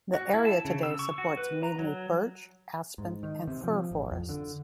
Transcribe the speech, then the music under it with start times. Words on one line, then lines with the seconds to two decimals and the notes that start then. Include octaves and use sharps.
The area today supports mainly birch, aspen, and fir forests.
0.14 F#4
0.34 E4
0.45 A5
0.65 C#3
0.83 E6
0.99 C#6
1.18 F#4
1.37 B4
1.63 A#5
1.79 F#3
2.98 G#2
3.23 D#3
3.47 C3
3.64 F3
3.91 A1
4.11 F2
4.29 D3